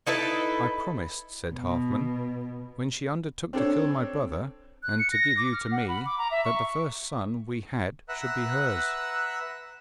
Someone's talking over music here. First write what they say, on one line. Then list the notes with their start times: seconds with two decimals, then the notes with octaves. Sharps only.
'I promised,' said Halfman, 'when she undertook to kill my brother and to give you to me, that the first son we had should be hers.'
0.07 D#4 E4 A4 B4
1.54 B2
3.53 C4 D4 A4 C#5
4.83 F#6
4.99 C#7
5.12 A#6
5.37 D6
5.53 F6
5.72 F#5
5.88 B5
6.06 D6
6.18 A#5
6.31 E5
6.45 C#6
8.09 B4 E5 F#5 A#5 E6 F#6